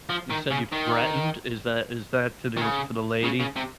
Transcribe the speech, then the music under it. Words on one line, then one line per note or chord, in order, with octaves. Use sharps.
You said you've threatened, is that is that to the to the lady?
F3
D#3
C#3
D#3
D#3
C#3
C#3
C#3
C3